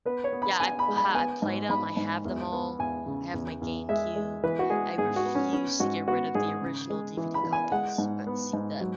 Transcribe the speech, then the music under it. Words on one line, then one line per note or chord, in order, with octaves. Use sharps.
Yeah, I've ha I've played 'em. I have them all. I have my GameCube. I refuse to get rid of the original DVD copies. Uh, see that
B3 B4
C#5
B3
B5
B3 G#5
B5
G#3
B5
B3 G#5
G#2
G#2 B5
G#2
E2
B3
E2 G#5
C#3
E2
E2
G#3 E5
G#3
E3 B4
F#4
G#3 G#4
G#2 G#4
F#4
B3
C#4
B3 C#4
G#2 F#4
B3 F#4
G#2 G#4
C#3
G#3
E3
B5
E3
G#5
G#3 F#5
G#2
B3
G#2
F#3